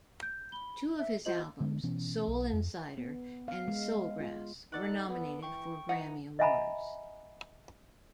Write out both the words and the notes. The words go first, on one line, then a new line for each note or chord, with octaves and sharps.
Two of his albums, "Soul Insider" and "Soulgrass", were nominated for Grammy awards.
G6
B5 G7
E5
F4 C5 D#5 F#7
D3 G#3 B3 D4
B2 E3 B3 C#4
B1
F2
B3
F5
G#3
F4
D#4 A4 D5 F#5
B3
E3 G5 C#6
E3 D#4 F#5
D#5 E5 F#5 G#5 A#5 B5